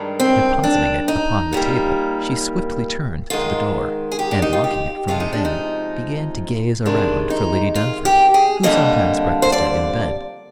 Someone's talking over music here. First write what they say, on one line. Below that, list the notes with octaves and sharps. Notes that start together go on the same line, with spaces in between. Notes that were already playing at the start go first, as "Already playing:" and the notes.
Depositing it upon the table, she swiftly turned to the door, and locking it from within, began to gaze around for Lady Dunfern, who sometimes breakfasted in bed.
Already playing: G2 D#3 G#3
C4
D4
D#4
A#2 G3 A#3
G#2 D#3 G#3 F4
G#4
G4
D4
D#4
F4
G4
C3 F3 G#3 F4
D#4
D4
D#4
C3 D#3 G#3 D4
D#4
F4
G4
G#4
F2 D3 G3 A#3 D#5
C5
D5